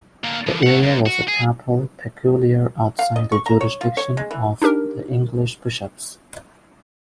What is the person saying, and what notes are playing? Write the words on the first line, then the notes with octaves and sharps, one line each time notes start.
The area was a papal peculiar outside the jurisdiction of the English bishops.
D3 A#3
E3 F3
A3 F#5
F#2
F#4
G#4
F5
D#5
C#6
A#5
C#5
F4
C#5
G#3
E3
D4 D#4 G4 A#4